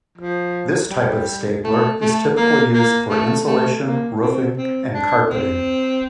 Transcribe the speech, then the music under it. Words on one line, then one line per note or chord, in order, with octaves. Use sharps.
This type of stapler is typically used for insulation, roofing and carpeting.
F3
G3
A3
A3
A#3
A#3
A3
A3
A#3
C4
C4
D4
C4